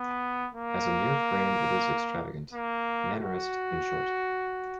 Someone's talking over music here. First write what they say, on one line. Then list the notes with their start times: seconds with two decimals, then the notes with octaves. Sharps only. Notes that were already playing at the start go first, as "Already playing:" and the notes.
As a mere frame it is extravagant: Mannerist, in short.
Already playing: B3
0.55 A#3
2.53 A#3
3.19 F#4